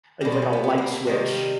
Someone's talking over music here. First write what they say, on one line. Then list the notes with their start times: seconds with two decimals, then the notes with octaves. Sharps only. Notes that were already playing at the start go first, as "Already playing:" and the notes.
I get, like, a light switch,
0.21 B2 G3 A#3
0.32 C4
0.42 C#4
0.53 B3
0.64 B3
0.78 A#3
0.93 A3
1.06 C3 D#3 G3 A#3